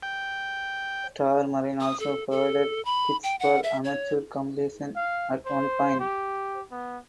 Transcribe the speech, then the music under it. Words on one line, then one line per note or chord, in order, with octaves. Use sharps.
Star Marine also provided kits for amateur completion at one point.
G5
D#6
A4
A4
B5
G5
F#5
E5
C#5
F5
C5
G4
B3